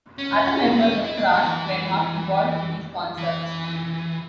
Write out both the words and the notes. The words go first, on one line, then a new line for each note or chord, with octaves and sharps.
Other members of Crass were not involved in these concerts.
C#4
B3
C#4
D4
E4
D4
F#3
E3
E3